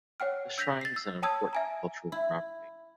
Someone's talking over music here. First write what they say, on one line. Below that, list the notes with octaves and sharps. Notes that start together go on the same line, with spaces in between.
The shrine is an Important Cultural Property.
C#5 F#5 G5 F6
E6 G6 A#6 B6 F7
A6 C7
E6
C#5 G5 A5 D#6 E6 G#6
E5 G#5 A#5
E4